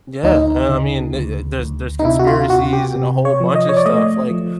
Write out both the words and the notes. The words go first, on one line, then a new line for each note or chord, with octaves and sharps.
Yeah, and I mean, uh uh, there's there's conspiracies, and a whole bunch of stuff like,
D2 D#4
C#3
D2
D2
D#4
C3 E4
F#4
F4
C3 F#4
G4
C3
C#5
F3
D#5
C#5
D5
A3 D#5
F3